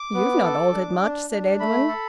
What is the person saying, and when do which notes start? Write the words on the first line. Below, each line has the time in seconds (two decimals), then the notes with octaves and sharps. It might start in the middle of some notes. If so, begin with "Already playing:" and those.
"You've not altered much," said Edwin.
Already playing: D6
0.14 B3
0.43 A4
0.72 D4
1.01 D4
1.30 D4
1.60 A3 B5
1.88 A4